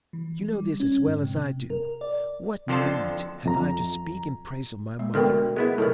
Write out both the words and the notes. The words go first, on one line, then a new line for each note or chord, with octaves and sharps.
You know this as well as I do; what need have I to speak in praise of my mother?
E3
G3
C#4
G#2
C3
A#4
D5
F2 D3 A4 C5 A5
F2 A#5
G#3
D2 B2 A4 A#4 G5
G#3 B3 E4
B1 A2 A4 A#4